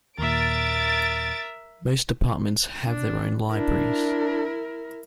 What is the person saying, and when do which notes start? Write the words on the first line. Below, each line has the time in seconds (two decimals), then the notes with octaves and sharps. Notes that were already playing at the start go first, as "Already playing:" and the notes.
Most departments have their own libraries.
0.19 D#2 A#2 A#4 E5 A6 D7
2.86 D4
3.51 D4 E4 A#4